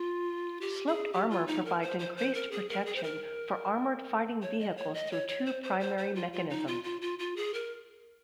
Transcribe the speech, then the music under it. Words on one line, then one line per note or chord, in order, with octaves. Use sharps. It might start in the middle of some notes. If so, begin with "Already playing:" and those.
Sloped armour provides increased protection for armoured fighting vehicles through two primary mechanisms.
Already playing: F4
G4
G#4
G4
F4
D#4
A#4
C5
C5
C5
A#4
G#4
A#4
G#4
C5
A#4
C#5
D#5
C#5
D#5
C#5
C#5
C5
C5
C5
C5
F4
F4
D#4
F4
F4
F4
F4
G#4
A#4